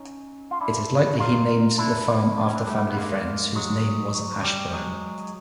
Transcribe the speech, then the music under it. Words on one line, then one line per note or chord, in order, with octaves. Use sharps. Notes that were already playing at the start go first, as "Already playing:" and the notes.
It is likely he named the farm after family friends whose name was "Ashburn".
Already playing: C#4 D#4
F4
D4 E4
D#4 F4
D4 E4
D4
C#4
C4 D4
G3 A3
B3
G#3 A#3
F#3 G#3
F#3
G3
F#3 G#3